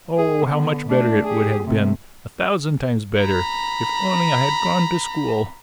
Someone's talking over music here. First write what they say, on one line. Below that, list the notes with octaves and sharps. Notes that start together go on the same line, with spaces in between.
Oh, how much better it would have been, a thousand times better, if only I had gone to school!
G#4
D3 B3
A3 D4
G4 G#4
C3 A3
A#5 B5